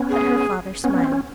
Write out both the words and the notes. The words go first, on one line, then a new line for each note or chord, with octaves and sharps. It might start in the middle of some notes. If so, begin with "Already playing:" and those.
But her father smiled.
Already playing: B3 C#4
G#4
B3 C#4
B3
C4
C#4